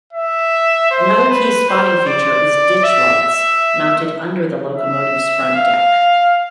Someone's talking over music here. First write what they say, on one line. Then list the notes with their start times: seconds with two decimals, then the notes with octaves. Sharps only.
Another key spotting feature is ditchlights mounted under the locomotive's front deck.
0.13 E5
0.91 C5
1.29 B4
1.68 C5
2.06 D5
2.83 E5
3.22 E5
4.77 E5
5.55 F5